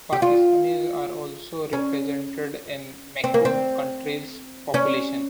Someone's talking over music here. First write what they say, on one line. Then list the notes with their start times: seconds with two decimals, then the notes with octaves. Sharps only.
Pakistanis are also represented in Macomb County's population.
0.13 G4
0.22 F4
1.73 C#4
3.24 C4
3.34 A#3
3.45 C4
4.74 C#4